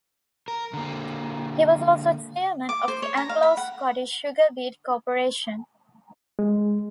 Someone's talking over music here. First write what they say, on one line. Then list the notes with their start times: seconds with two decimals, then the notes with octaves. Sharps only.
He was also chairman of the Anglo-Scottish Sugar Beet Corporation.
0.48 A#4
0.73 D3 A#3
2.69 D6
2.88 C5
3.02 C#5
3.17 A#5
3.29 F5
3.43 B5
3.57 F#5
6.39 G#3